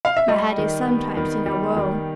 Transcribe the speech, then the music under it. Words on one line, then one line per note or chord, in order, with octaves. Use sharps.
My head is sometimes in a whirl.
F5
E5
G3 D#5
D#3
B3
D#3
G3
D#3